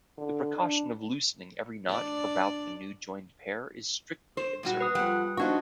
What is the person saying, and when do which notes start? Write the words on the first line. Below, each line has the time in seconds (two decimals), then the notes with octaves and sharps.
The precaution of loosening every knot about the new-joined pair is strictly observed.
0.18 D3
0.56 D4
1.89 D4 D5
4.37 C5
4.63 A#2 G3 F#4
4.81 B4 D#6
4.95 F2 G3 F#5
5.37 F3 D4 D#4 F#4 C#6